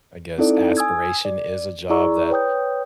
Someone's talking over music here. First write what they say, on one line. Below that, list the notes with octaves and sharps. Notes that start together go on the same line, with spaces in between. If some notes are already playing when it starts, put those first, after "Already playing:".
I guess, aspiration is a job that,
C4 D#4 E4 A4 D5
G#5 D#6 E6 G#6
D5
E4 G#4 D5 A#5 C#6 E6
B4 C#5 G5 D#6 G6